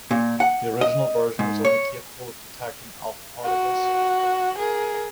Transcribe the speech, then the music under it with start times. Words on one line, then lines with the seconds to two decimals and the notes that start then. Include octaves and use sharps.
The original version was only capable of detecting alpha particles.
0.11 A#2
0.40 F#5
0.81 D#5
1.39 G#2
1.65 C#5
3.44 F#4
4.59 G#4 A#4